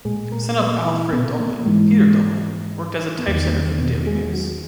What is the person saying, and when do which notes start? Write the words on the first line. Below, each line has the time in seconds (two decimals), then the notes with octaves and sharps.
A son of Alfred Döblin, Peter Döblin, worked as a typesetter for the "Daily News".
0.05 A#2 G#3 G#4
0.32 A#3 A#4
0.58 B3 B4
0.85 E3 E4
1.13 B2 B3
1.40 A#3
1.66 G#2 E3 G#3
3.19 B3
3.27 E2 D#3 A#3
3.54 A#3
3.80 B2 B3
4.06 G#3 G#4
4.33 F#3 F#4